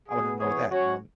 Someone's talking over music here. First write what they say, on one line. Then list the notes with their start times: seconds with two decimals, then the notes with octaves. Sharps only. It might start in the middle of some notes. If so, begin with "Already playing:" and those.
I wanna know that, you know, and
0.09 B2 B3 G#4
0.39 E3 B3 G#4 C#5
0.70 F#3 C#4 F#4 C#5